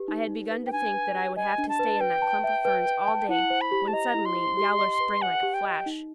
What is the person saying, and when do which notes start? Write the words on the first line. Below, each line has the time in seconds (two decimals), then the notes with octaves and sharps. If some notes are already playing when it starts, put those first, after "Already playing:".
I had begun to think that I would have to stay in that clump of ferns all day when suddenly Yowler sprang like a flash.
Already playing: G4 B4
0.08 D#4
0.30 D#4
0.51 B4
0.67 G5
0.72 D4 G#5
0.94 B4
1.15 G4
1.36 D#5 G#5
1.58 D4
1.69 A5
1.79 B4
2.01 B4 G5
2.22 A5
2.44 E5
2.65 B4
2.86 B4
3.08 A5
3.29 E4 F#5
3.50 C5
3.61 B5
3.72 G4
3.88 A5
3.93 D#5 A#5
4.14 E4
4.25 C6
4.36 C5
4.57 G4
4.79 D#5
5.00 B4
5.21 F#5 G#5
5.43 G4
5.54 G5
5.64 D#5
5.86 D#4